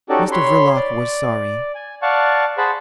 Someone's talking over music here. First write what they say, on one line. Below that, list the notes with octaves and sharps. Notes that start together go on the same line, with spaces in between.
Mr Verloc was sorry.
C#4 D#4 F#4 G4 A4 D5
C#5 B5 C6
D5
G#5
D5 F5 F#5 A5 C#6
G#4 C5 F#5 A5 B5